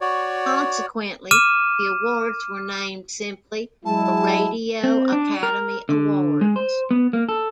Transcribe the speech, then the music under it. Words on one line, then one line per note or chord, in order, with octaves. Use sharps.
Consequently, the awards were named simply "The Radio Academy Awards".
F#4 C#5 D5
D6 F6 D#7 E7
F#3 G#3 E4 A5
C4
D4
A#4
D3
G#3
C5
B3
A#3
A4